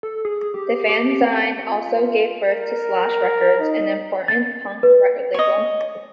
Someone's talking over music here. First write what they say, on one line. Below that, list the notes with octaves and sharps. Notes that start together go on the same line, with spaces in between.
The fanzine also gave birth to Slash Records, an important punk record label.
A4
G#4
G4
G4
C4
F4
A#4
D#4
A6
B4
C#5 D#5